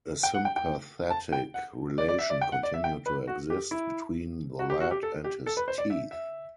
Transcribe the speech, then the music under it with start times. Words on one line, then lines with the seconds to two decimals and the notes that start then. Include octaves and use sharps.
A sympathetic relation continued to exist between the lad and his teeth.
0.23 G5
0.34 F#5
0.45 G5
0.56 G5
1.10 A5
1.33 G5
1.54 F#5
1.98 D5
2.09 D5
2.19 E5
2.30 D5
2.41 G5
2.52 F#5
2.63 D5
2.74 E5
2.84 G5
3.06 B4
3.28 F#4
3.50 G4
3.71 E4
4.59 F#4
4.70 G4
4.80 F#4
4.91 G4
5.03 A4
5.24 G4
5.46 A4
5.57 B4
5.68 C5
5.78 D5
5.90 E5
6.11 E5